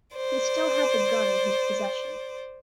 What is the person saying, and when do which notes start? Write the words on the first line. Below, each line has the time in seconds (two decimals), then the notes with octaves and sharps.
He still had the gun in his possession.
0.16 C5 D5